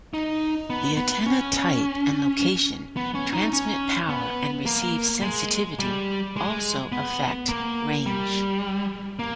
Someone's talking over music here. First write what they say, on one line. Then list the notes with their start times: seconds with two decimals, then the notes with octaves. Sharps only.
The antenna type and location, transmit power and receive sensitivity also affect range.
0.14 D#4
0.70 B3
0.97 B3
1.26 C#4
2.97 B3
3.15 C#4
3.33 D#4
3.53 C#4
4.09 B3
4.66 A#3
5.22 G#3
5.79 G3
6.36 G#3
6.92 B3
7.49 A#3
8.06 G3
9.19 A#3